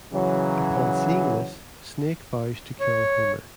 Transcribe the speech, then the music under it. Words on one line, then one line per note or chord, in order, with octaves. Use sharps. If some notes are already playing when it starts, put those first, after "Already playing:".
Upon seeing this, Snake vows to kill Homer.
C#3 E3 F#3
C#5